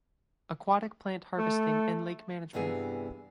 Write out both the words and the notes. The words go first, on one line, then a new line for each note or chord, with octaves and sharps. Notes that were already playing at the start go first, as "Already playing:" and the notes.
Aquatic Plant Harvesting and Lake Management.
A3 A4
G2 C3 E3 B3 G#4